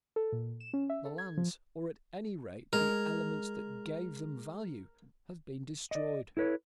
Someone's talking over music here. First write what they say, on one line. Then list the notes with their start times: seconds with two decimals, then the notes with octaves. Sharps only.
The lands, or at any rate, the elements that gave them value, have been destroyed.
0.16 A4
0.32 A#2
0.60 E7
0.73 C#4
0.90 E5
1.05 A4
1.18 G#6
1.37 F3
2.73 G#3 A#4
5.91 D5 D#5
6.37 E4 A4 B4 C#5